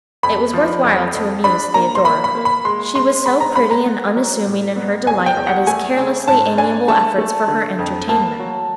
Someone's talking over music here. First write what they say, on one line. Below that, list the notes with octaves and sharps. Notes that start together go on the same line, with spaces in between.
It was worth while to amuse Theodora, she was so pretty and unassuming in her delight at his carelessly-amiable efforts for her entertainment.
F2 B5
F3
F2
F2
D4 B5
A#3 A#5
C6
A#3 B5
B5
A#3
B5
G#3 C6
G#3 C6
G#3 B5
A#5
G#3 B5
A#5
B3
F#3
A2
B3
E2 G#5
G5
E2
F#5
A3 G#5
C#3
G#2 A5
D4 G#5
A3 A5
A3
D3
F2
A#3 A5
F#3